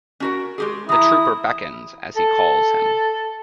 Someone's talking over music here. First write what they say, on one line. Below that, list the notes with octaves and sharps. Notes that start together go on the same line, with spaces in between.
The trooper beckons as he calls him.
C#4 F#4 A#4
G#3 G4 G#4
E3 E4 A#5 D#6
A4